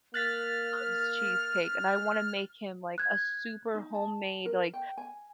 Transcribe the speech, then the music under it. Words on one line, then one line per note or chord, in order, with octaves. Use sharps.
loves cheesecake, and I wanna make him, like, a super homemade, like,
A#3 F6 F#6 A6 B6
F#6 G#6
D#4
A5
A#4
G5
G#5